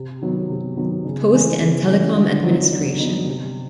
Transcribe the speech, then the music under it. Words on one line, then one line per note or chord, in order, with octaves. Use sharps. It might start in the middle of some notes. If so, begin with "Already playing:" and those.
Post and Telecom Administration.
Already playing: C3
D#3 F#3 B3
C3
D#3 F#3 B3
C#3
E3 A3 C#4
C#3
E3 A3 C#4
D3
F#3 B3 D#4
D3
F#3 B3 D#4
C3